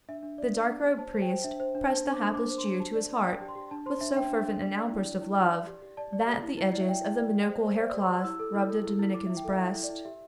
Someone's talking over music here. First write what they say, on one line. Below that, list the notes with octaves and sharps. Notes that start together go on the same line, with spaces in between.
The dark-robed priest pressed the hapless Jew to his heart with so fervent an outburst of love, that the edges of the monochal haircloth rubbed the Dominican's breast.
D4 E5
D4
D5
D5
D4
G4
C5 A5
C5
G5
C5
D4 E5
C5
D4
C5 A5
D4
D6
D4
D4 D6
C5
C6
D4
G4 A5
D5
D5
G5
D5 A5
G4
C6
G4
D4 A5
C5 C6
D4 E5
D4 G5
D4
D4
D5
D5
E4
D5
E4
G4
D5
G4
G4
D5 A5
D5
G4
E4
E4
E4 D5
E5
D5 G5
E4
D5
G4
C5
C5
C5 D5
D5
G4
C6
G4 E6
E4 E6
A4
E4
A4
E4
E4
E4 D6
E5
E4
G5
A4 E5
E4 E5
E4
D5
E4
G4 E5